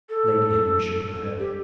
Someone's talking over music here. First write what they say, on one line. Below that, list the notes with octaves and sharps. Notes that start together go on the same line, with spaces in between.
Lady Henry shook her head.
A4
G4